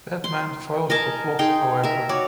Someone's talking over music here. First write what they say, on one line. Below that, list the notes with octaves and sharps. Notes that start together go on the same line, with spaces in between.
Batman foils the plot, however.
C6
A#4 D#5 G#5 A5
D#4 G#4 G5 C6
A#4 E5
F#4 C#5 D5